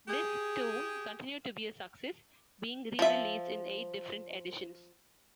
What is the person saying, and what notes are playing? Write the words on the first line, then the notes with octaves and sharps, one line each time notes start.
This, too, continued to be a success, being re-released in eight different editions.
G4 G#4
F3 E5